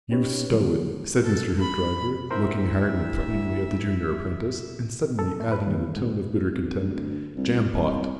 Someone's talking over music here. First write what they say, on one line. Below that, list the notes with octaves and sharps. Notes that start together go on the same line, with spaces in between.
"You stow it," said Mr. Hoopdriver, looking hard and threateningly at the junior apprentice, and suddenly adding in a tone of bitter contempt,--"Jampot."
C#4 D#4 G4 B4 C#5
D3 D#3 F3 F#3 G#3 B3
A4
B5
D2 E4 A#4 C5 E5
A4
A3
B4
D#2
G#2
G#1
D2
C2
C2